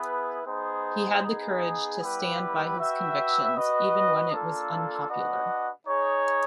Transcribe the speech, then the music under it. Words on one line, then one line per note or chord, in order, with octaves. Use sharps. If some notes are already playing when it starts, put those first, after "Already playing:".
He had the courage to stand by his convictions, even when it was unpopular.
Already playing: B3 E4 G#4 B4
B3 D#4 G#4 C5
B3 D#4 G#4
G3 B3 E4 G4 B4
F#4 B4 E5 G5
F#4 B4 D#5
A#3 D4 F4 A4
D4 F#4 B4 D#5 F#5
D#4 G#4 C#5